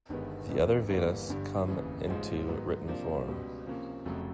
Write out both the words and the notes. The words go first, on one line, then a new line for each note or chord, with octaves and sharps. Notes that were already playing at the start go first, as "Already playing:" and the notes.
The other Vedas come into written form.
G1 G2 D#3 G#3 B3
E1 E2 C3 E3
G1 G2 E3 G3 A#3
G1 G2 D3
F1 D#2 C#3 E3
A1 G#2 F3 G#3
G#2 D#3 F#3 B3
C3 F3 A#3 D4
C#2 B2 G3
C3 F3 A#3 C#4
F1 F2 C#3 F#3 A3